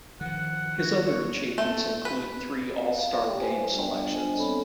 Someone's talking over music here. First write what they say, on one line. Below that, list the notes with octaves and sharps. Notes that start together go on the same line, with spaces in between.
His other achievements include three All-Star Game selections.
D#3 F3 F#5
F#4
C#5
A3
B4
F5
G4 E5 G5
B4 C5 G#5
G3 B3 D4 F4 D5 G5
D4 C5 D#5 G#5
B3 C4 A4 C#5 B5